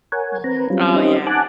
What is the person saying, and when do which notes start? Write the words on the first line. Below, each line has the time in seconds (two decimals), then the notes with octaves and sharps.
Mhm. Oh, yeah.
0.12 A#4 C#5 F#5 G#5
0.44 C4 B4 A#5
0.70 F#3 G3 C4 C#4 F4
0.96 C#4 D#4 G4 C5 D#5
1.27 F#5 G#5 A5 D6 F#6